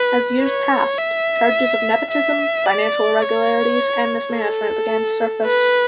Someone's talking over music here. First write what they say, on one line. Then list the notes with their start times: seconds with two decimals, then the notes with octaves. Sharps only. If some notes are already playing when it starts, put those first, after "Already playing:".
As years passed, charges of nepotism, financial irregularities, and mismanagement began to surface.
Already playing: B4
0.43 C#5
0.98 E5
2.11 E5
2.66 D5
3.22 C#5
4.33 A4
5.45 B4